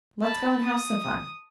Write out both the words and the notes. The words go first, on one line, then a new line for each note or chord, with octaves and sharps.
Let's go and have some fun.
A5 B5
D#6